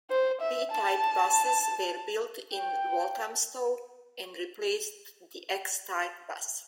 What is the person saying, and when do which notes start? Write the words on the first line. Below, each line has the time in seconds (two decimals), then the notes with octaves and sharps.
B-type buses were built in Walthamstow and replaced the X-type bus.
0.10 C5
0.41 E5
0.71 A5
2.54 G5